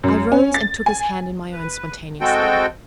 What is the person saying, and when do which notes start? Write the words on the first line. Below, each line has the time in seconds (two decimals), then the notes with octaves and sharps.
I rose and took his hand in my own spontaneously.
0.03 F#2
0.32 C#4
0.54 A6
0.86 G#5
1.52 B4
2.21 G#3 C4 F#4 A4 G5